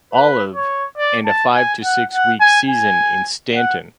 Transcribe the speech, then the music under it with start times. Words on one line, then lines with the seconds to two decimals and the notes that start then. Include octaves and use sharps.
Olive and a five to six week season in Staunton.
0.13 B4
0.55 C#5
0.98 D5
1.26 A5
1.55 G#5
1.83 F#5
2.12 F#5
2.40 G#5
2.69 G#5
3.54 F#5